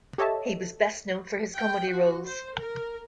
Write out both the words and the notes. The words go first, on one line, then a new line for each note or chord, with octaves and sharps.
He was best known for his comedy roles.
G4 A4 C#5 D#5 E5 A5
G5
F#4
C5
A#4